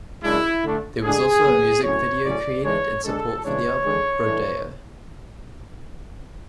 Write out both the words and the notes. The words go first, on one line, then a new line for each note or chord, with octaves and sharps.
There was also a music video created in support for the album - "Brodeo".
F#2 C#3 G#3 D4 E4
D3 A3 D4
D3 G#3 D4 G#4
B2 F#3 B3
A2 F#3 C#4 C#5
A2 F#3 C#4 D5
G#2 E3 G#3 D4 C#5
D3 G#3 D4 A4
C#3 E3 G#3 D4 C#5
D3 G#3 D4
A2 E3 A3 D4